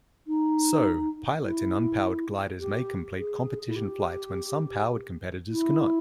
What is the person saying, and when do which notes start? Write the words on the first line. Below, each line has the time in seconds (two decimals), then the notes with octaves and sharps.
So, pilots in unpowered gliders may complete competition flights when some powered competitors cannot.
0.27 D#4
1.43 E4
2.59 G4
3.18 G#4
3.68 E4
3.76 G4
5.51 E4